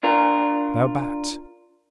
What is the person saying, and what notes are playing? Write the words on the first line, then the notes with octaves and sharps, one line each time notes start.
Thou bat!
D4 F4 A#4